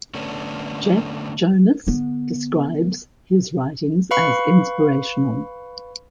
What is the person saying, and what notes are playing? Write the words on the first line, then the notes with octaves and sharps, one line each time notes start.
Jeff Jonas describes his writings as inspirational.
D3 A3 B3 C#4 D4
D3 B3
B4 F5 B5 C#6 C#7